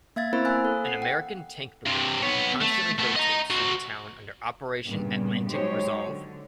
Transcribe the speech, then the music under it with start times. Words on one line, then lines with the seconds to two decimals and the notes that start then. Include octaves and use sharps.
An American tank brigade constantly rotates through the town under Operation Atlantic Resolve.
0.16 A#3 E5 F5 G#6 A6
0.33 B3 C4 E4 A#4 C5 B5
0.45 A#3 F5 G#5 E6 F#6
0.65 A4
0.85 F#5 C7
1.02 F#5 G5
1.86 G2 C3
2.22 B3 C#5
2.62 A3
2.99 A3 B3
3.16 D#5 A#5
3.50 F#4 C5
4.86 G2 A#2 C#3 G3 B3
5.50 F#3 G#3 D#4 G4 C5 C#5
6.07 D3